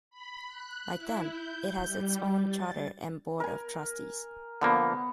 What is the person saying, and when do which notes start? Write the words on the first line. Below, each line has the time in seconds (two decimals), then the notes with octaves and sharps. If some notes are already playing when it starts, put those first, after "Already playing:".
Like them, it has its own charter and Board of Trustees.
0.10 B5
0.47 F#6
0.97 E4
1.29 G6
1.85 G3
2.46 A6
3.40 A#4 G#5
4.61 D3 F3 A#3 B3 F#5